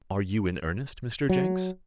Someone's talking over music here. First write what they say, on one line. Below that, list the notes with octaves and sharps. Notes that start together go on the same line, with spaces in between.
"Are you in earnest, Mr. Jenks?"
F#3